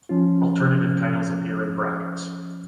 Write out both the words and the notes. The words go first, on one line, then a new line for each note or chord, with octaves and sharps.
Alternative titles appear in brackets.
F3 C#4 F4